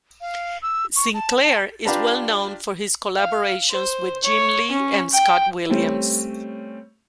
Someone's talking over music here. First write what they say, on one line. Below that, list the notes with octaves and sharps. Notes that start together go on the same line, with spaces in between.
Sinclair is well known for his collaborations with Jim Lee and Scott Williams.
F5
E6
C#6
A5
A5
D4 F4 G4 B4 A5 A#5
F5
C5
C#5
C#4
G5
G3 A3 C4 C#4